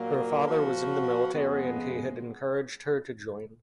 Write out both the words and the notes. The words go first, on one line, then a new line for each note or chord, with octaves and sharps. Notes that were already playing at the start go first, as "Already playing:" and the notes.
Her father was in the military and he had encouraged her to join.
Already playing: A#2 F#3 A#3 F4
F3 B3 F#4
F2 C#3 G#3 B3